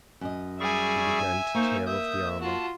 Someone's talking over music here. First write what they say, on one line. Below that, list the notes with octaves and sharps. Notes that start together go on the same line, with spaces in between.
He began to tear off the armor.
F#2 D#5
G3 G#4 E5 G#5 C#6
A#3 D#4 C5 C#6
E5 D#6 G6
F4 F#4 A5